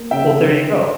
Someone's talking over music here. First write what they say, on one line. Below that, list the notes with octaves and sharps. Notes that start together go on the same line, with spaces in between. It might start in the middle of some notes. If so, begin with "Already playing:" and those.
Well, there you go.
Already playing: A#3
C#3 E5 G5
C#4